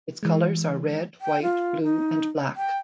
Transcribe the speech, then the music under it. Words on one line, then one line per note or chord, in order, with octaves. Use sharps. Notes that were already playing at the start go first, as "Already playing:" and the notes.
Its colours are red, white, blue and black.
E3 G#3
G5
F4
D#4
G5